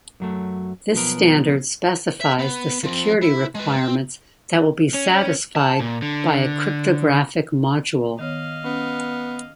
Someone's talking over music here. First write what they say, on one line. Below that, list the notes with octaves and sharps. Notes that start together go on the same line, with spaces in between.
This standard specifies the security requirements that will be satisfied by a cryptographic module.
F#2 F#3 A3
B1 F3 B3 A#4
E5
B3
F3 C4
E4
G#3 B4
C4
C#4
A5
A#2
D3
D#3 B3 C#5 D#5 F5
B3 C#4